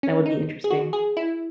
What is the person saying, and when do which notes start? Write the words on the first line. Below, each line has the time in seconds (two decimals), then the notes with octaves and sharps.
That would be interesting.
0.03 C#4
0.26 D#4
0.64 G#4
0.71 F#4
0.93 G#4
1.17 E4